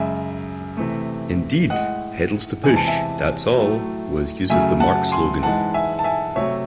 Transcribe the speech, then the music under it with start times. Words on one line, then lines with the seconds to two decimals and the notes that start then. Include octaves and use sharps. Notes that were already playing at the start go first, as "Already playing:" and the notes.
Indeed, "Pedals to push, that's all" was used as the marque's slogan.
Already playing: F#2 C#3 G#3 E5 G#5
0.77 C3 E3 A3
1.70 A2 G#3 D#5 F#5
2.63 E2 C3 E3 G#3 G#5
2.76 A5
2.87 E5 G#5
3.56 A2 F#3 A3
4.50 F#2 C#3 F#3 A3 E5 G#5
4.80 F#5 A5
5.12 G#5 C6
5.43 G#2 E3 G#3 F#5 A5
5.74 E5 G#5
5.99 A5
6.04 E5 G#5
6.36 C3 F#3 A3 C#5 E5